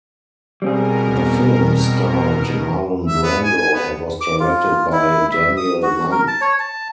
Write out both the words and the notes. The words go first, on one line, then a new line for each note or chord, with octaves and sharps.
The film starred Marlon Brando and was directed by Daniel Mann.
B2 G3 C4 G#4 A#4
E5
B3
G#5
G#5
B3
D6
F4
E4
E5
D#6
F#4
A#4
A5
C#5
A5